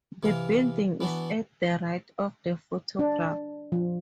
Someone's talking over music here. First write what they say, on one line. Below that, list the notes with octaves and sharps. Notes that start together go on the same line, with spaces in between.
The building is at the right of the photograph.
C3 E3 F5
E3 B3 D4 F#4
D4
F3